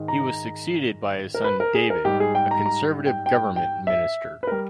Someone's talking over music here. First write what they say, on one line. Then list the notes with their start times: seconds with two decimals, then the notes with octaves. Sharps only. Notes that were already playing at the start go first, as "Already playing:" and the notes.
He was succeeded by his son David, a Conservative government minister.
Already playing: G#2 D#3 G#3
0.08 A#5
1.34 A#4
1.44 B4
1.60 A#4
1.75 G#4
1.90 A#4
2.05 G#2 G3 G4
2.20 G#4
2.35 G5
2.51 A#5
2.66 A#5
3.06 G5
3.26 G5
3.56 G5
3.87 E5
4.43 B4
4.47 G3 A#4